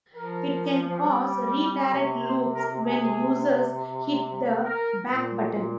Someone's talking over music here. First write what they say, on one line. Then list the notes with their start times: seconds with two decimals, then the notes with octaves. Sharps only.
It can cause redirect loops when users hit the back button.
0.16 F3 A#4
1.05 G3
1.95 C3 C#5
2.24 C5
2.54 A#4
2.84 G#4
4.64 A#4
5.08 A#2
5.53 A#2